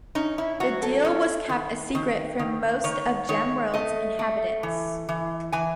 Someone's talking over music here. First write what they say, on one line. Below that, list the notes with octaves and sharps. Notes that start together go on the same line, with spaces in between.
This deal was kept a secret from most of Gemworld's inhabitants.
C#4 D#4
E4
F#3 F#4
A4
C#4
D#3
D#3
D#3
D#3 C#5
D#3 C#5
A3 D#5
A3
E3
E3
E3 G#5